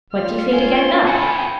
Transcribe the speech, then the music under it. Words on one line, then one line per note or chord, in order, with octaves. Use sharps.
"What do you say to gettin' up?"
F4 F6
F4 C#5 G#5 C6
F#4 A4 G5 G#5 B5 C#7